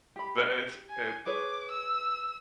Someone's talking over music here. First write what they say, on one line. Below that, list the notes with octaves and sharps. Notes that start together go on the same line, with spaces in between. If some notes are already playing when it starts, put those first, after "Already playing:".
the it's it
G4 B5
G#5
G#4 B4 C#5 D6
E6